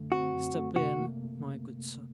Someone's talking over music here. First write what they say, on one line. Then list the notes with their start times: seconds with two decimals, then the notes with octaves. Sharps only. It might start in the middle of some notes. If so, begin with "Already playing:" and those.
"Step in, my good sir."
Already playing: F#2 D3 A3
0.12 C4 F#4
0.33 F#2
0.55 A3
0.76 C3 F#4
0.97 A#3